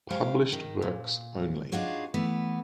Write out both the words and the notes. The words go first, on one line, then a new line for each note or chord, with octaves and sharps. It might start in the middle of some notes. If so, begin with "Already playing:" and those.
Published works only.
G3 G#3 C5 F5
D#3
A#2
D4 D#4 F4 F#4 G#4 C#5
E3 A3 B3